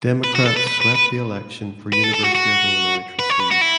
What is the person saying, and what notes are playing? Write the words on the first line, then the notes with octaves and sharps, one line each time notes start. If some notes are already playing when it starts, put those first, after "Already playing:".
Democrats swept the election for University of Illinois trustees.
B4
F#4
A4
B4
B4
B4
B4
B4
A4
A4
F#4
F#4
B4
C#5
B4
F#4
E4